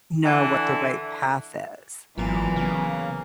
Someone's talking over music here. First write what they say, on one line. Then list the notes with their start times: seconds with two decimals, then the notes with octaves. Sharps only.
know what the right path is?
0.25 D3 E3
2.18 G#1 A#2 E3 F#3 B3
2.56 C#3 A#3